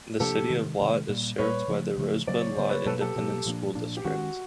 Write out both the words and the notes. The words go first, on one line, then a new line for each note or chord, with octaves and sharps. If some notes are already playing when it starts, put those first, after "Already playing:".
The City of Lott is served by the Rosebud-Lott Independent School District.
C3 F3 A#3 D4 G4 A4
C3 D#3 G#3
C3 D#3 G#3
A#2 G3 A#3
A#2 G3 A#3 B4 C#5
C#3 F3 A3
C#3 F3 A3
C#3 F#3 A#3 D5
C#5
C#3 F#3 A#3 C5
B4 C#5
B2 F#3 A#3 A4 B4
G4 A4
B2 F#3 A#3 G4
A#2 F3 A#3 D4
A#2 F3 A#3 D4
G4
D#3 G#3 C#4 F#4